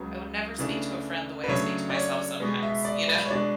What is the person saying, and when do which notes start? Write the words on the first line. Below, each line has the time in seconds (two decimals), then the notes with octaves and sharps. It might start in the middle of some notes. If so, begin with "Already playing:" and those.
I would never speak to a friend the way I speak to myself sometimes. You know?
Already playing: C#2 C#3 F#3 B3
0.59 C#3 E3 A3 D4
1.44 B4
1.48 C#3 F#3 A3 D4 C#5
1.90 D5
1.95 C#5
2.40 B2 G#3 B3
2.63 E5
2.85 D5
3.08 B4
3.26 C#5
3.30 B2 G#3 D4 D5